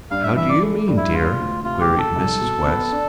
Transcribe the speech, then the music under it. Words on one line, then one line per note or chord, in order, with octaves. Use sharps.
"How do you mean, dear?" queried Mrs. West.
G2 F5
E5
E3 E5
D5
A3
G2
E4
E1 F4
D2
C3 F4
G4
E1
A4
C2
B2
B3
D4